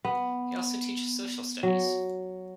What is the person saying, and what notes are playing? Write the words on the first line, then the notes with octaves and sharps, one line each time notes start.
He also teaches social studies.
B3
F#3